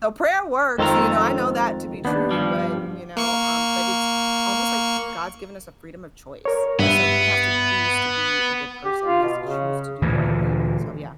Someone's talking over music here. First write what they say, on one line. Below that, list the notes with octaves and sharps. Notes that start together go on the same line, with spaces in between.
So prayer works, you know, I know that to be true, but you know, um, but it's almost like God's given us a freedom of choice, and so he has to choose to be a good person, he has to choose to do the right thing, so, yeah.
F2 D#3 G#3 C4 A4 A#5
D#2 B3 D4
G2 F3 G3
A#3 C#6 C#7
A#4 C#5
G2 B3 E5
G4
F4
B2
C#3
D2 A#2 E3